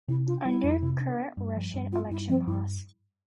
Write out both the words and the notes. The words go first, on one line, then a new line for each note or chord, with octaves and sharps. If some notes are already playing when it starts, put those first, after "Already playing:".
Under current Russian election laws.
C3 E4
D4 F4
G3 E4
F2
C3
D4
B3
G2
F3
G2
B3 F4
G2 E4
F3 C4
G2 E4